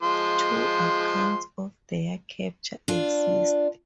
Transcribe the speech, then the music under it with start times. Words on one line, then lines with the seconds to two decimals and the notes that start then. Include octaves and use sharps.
Two accounts of their capture exist.
0.03 F3 G#3 C6
2.88 D4 F4